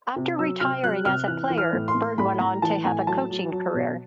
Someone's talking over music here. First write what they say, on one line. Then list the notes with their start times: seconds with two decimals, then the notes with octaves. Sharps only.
After retiring as a player, Bird went on to have a coaching career.
0.16 C3
0.39 F#3 E6
0.60 C3 F6
0.83 F#3 F#6
1.05 C3 F6
1.28 E3 F#6
1.50 E3
1.58 F6
1.73 A2
1.88 C6
1.95 A2
2.18 A2 B5
2.40 A2 A#5
2.62 E3 A5
2.85 A2 G#5
3.07 F#3 A5
3.30 F#3
3.52 F#3
3.74 B2